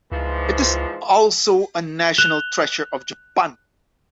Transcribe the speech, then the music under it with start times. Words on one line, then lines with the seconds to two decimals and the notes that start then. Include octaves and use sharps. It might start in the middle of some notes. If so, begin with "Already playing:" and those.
It is also a National Treasure of Japan.
0.12 C#2 G#2 E3 F3
2.18 F#6 E7 F7 G7